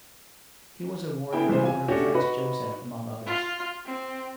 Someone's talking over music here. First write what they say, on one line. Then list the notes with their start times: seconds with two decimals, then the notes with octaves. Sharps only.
He was awarded the Order of Franz Joseph among others.
1.33 B3 E4 G#4 G5
1.47 C3 E3 G3 G#4 C5
1.62 C4 F4 G#5
1.88 A3 C#4 D4 F#4 G4 A4
2.13 D#4 F#4 B4 B5
3.26 F4
3.86 C4